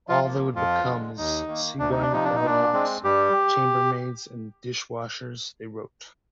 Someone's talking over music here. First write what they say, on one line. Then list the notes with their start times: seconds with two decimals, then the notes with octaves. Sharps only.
All they would become is seagoing bell hops, chambermaids and dishwashers, they wrote.
0.09 F3 F4
0.24 F3 A#3
0.55 F2 F3 F4
0.86 D3 G#3
1.17 D#2 D#4
1.48 D#3 A#3
1.79 D2 D4
1.91 D#4
2.01 D4
2.11 C3 F3 D#4
2.25 D4
2.35 D#4
2.42 A#2 D4
2.73 G#3 C4
3.04 G2 G3 G4